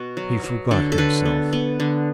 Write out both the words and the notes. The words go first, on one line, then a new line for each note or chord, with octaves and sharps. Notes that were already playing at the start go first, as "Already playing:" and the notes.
He forgot himself.
Already playing: B2 B3 F#4
F#3
F#3
D3 A4
A4
D3 B4
B3
B3
D3